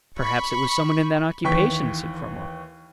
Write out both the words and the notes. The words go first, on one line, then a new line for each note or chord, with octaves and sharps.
"Perhaps it was some one in that occupation," said Cromwell.
B5 C#6
D#2 E3 G5 C#6 B6